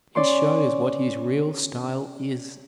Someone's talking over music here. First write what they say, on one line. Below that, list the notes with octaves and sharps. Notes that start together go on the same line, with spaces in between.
He shows what his real style is.
C#4 D5 C6 C#6